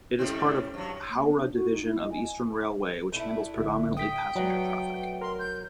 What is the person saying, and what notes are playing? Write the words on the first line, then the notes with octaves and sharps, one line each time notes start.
It is part of Howrah Division of Eastern Railway, which handles predominantly passenger traffic.
G#2 G3 C4 C#4 E4
C#5
G2 F#3
A#3
B3
D4
F#4
D#4
E4
D#5
G#5
A3 D4 E4
A#1 A2 D3
G5 D#6 B6
F#3 A3 B3 D5
A#4 C6
G6